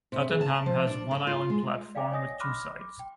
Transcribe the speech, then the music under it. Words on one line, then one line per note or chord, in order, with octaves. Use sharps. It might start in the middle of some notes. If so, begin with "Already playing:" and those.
Tottenham has one island platform with two sides.
C3
G#4
A5
F3
D4
D3
F4
G#3
D5 F5 G5 G#5 D6
C#5 D#5 G#5 D#6 A#6
B5 C6 D6 F6 F#6 A#6
D6
G5